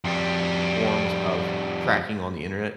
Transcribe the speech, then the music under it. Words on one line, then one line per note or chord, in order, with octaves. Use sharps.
forms of tracking on the Internet.
F2 G3